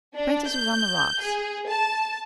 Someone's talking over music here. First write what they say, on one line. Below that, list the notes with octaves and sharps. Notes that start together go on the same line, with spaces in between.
Francis was on the rocks.
D4
G6
G#4
A5